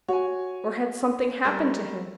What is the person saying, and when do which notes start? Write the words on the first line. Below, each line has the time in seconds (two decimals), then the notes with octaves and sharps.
Or had something happened to him?
0.08 F#4 C#5 G#5
1.44 G3 A3 A#4